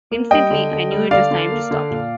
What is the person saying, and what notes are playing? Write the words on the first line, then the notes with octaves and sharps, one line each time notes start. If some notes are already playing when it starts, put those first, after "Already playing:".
Instantly I knew it was time to stop.
A#3
G3 D#5 G5
D3
D3
G3
D3 D5 F5
D3
A#3
D3
A#2